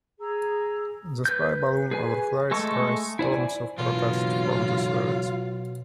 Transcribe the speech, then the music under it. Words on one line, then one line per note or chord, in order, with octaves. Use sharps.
The spy balloon overflights raised storms of protest from the Soviets.
G#4 A#5 E6
B4 G6
G#4 B4 G#5
G#3 A3 A4 C#6
E4 C5 D5 G#5
C#2 B2 E3 F#3 F4